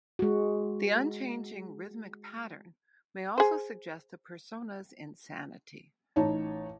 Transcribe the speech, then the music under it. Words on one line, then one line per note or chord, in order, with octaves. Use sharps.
The unchanging rhythmic pattern may also suggest the persona's insanity.
G#3 F#4
G#4 C5
A1 D#4 C#5 A5